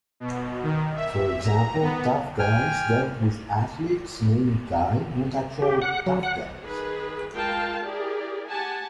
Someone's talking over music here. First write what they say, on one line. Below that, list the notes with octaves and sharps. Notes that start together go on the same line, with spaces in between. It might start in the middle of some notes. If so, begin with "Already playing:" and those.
For example, "Tough Guys" dealt with athletes named Guy, not actual tough guys.
B2
D#3
E5
A#5
B3
G5 G#5 F6
G4
F#5
F#3
F#5
D#3 G#4 B4
G#3 F4 A#4 F5 G5 A5
E4 G4 G#4 A#4 D5
G4 F#5 G#5 A5